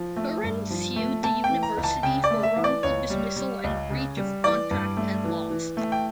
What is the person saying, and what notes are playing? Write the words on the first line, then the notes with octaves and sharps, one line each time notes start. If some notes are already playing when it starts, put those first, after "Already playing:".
Curran sued the University for wrongful dismissal and breach of contract and lost.
Already playing: F3
A3
G2
F3
A3
A3 A5
G5
E3
A#5
C#2
A5
C#3 G5
D5
A3
E5
E3
D5
C#2 C#5
G3
G3
C#2
C#3
G3
E3 D5
G2
A3
E3
E3
A3
G5